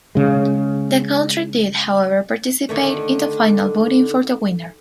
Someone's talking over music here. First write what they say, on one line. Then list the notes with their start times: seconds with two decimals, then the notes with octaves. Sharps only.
The country did however participate in the final voting for the winner.
0.15 C#3 G#3
2.69 D3 D#3 A3